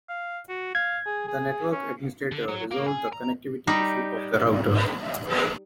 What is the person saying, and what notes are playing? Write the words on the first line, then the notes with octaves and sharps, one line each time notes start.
The network administrator resolved the connectivity issue of the router.
F5
F#4
F5 G#6
G#4
G#4
C#4
D3
F#3
A#3
G#4
A#5
G3 D#4 G4